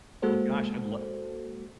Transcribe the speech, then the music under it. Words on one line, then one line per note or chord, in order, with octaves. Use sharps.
well, gosh, I'd lo
G#3 A#3 F#4 A4 C5